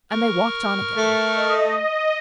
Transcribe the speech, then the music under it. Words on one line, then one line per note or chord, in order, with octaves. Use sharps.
And they walked on again.
A#4 C#6 F6
A3
D#5